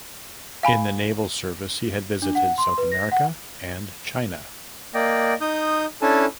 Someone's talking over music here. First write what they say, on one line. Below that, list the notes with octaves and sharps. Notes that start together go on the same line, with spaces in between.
In the naval service he had visited South America and China.
F5 G#5 B5
D4
F#5
C6
B4
A#6
F#5
A#3 D5 D#5 G5
D#4 D#6 G6
C#4 D4 E4 A4 G#5 A5